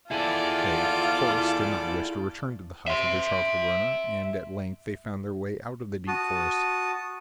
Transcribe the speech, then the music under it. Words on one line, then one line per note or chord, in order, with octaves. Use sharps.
They, of course, did not wish to return to the hut of the charcoal burner, and at length they found their way out of the deep forest.
E4 F4 G#4 A4 D5
E5 C6
F#4 A5 D#6